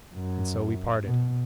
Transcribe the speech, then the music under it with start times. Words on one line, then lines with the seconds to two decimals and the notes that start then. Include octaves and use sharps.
And so we parted.
0.15 F#2
1.05 B2